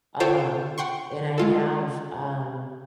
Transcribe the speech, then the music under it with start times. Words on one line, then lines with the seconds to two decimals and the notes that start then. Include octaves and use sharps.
Um, and I have, um
0.20 F4 A4 C5 C#5 F5 G5
0.78 F#5 G5 C6 C#6
1.38 G#3 F4 A4